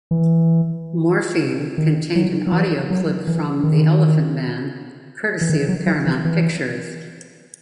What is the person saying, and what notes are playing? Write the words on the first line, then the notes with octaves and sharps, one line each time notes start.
"Morphine" contained an audio clip from "The Elephant Man", courtesy of Paramount Pictures.
E3
D#3
F#3
F#3
E3
F#3
E3
D#3
E3
D#3
F#3
F#3
E3
E3